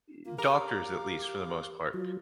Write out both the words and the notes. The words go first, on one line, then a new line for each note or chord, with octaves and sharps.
e doctors, at least for the most part,
A#3 F4
G4 A#4 F5 D6
F#3 F4